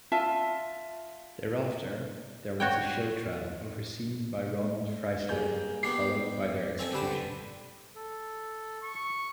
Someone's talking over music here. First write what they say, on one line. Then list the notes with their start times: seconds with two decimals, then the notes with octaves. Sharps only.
Thereafter, there was a show trial overseen by Roland Freisler, followed by their execution.
0.12 F4 E5 A5
2.60 F#4 C#5 G5
5.29 G2 A#3 G#4 G6
5.83 B3 D4 G4 C7
6.79 C4 A4 G#5
6.93 D3 G4 B4 C5 A5
7.96 A4
8.83 C#6